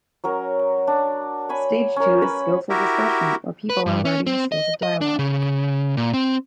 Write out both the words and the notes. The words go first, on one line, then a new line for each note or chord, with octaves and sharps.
Stage two is "Skillful Discussion", where people are learning the skills of dialogue.
F#3 C#4 A#4
D4
C#5 G#5 B5
C#4 A#4
B4 C#5 B5
E4 F#4 G4 A#4
B4
G2
C#4
C4
D#5
D#5
D4
C#3
A#2
C4